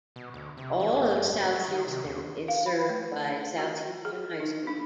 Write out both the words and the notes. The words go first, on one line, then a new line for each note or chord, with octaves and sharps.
All of South Houston is served by South Houston High School.
B2
D2
C3
E3
A1
G2
F1
F#3
D#3
C3
D#2
F5
B5
A3
F#4
G#4
D#4
D4